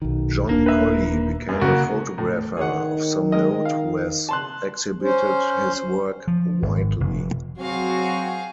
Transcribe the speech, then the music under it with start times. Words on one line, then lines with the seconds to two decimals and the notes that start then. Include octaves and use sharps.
John Collie became a photographer of some note who has exhibited his work widely.
0.02 B1 D#3
0.49 D#1 A#3 D4
0.66 B4 E5
1.49 F#2 A#3
1.61 C#3 A#3 F#4
2.18 A2
2.57 D#3 G#4 C#5 F#5
3.32 G#3 A#4 D#5
3.65 F5
4.29 A5 C6 F#6
5.02 C#4 C5
6.28 F3
6.62 G#1
7.00 F1
7.58 F#3 C4 F#4 G#4 F5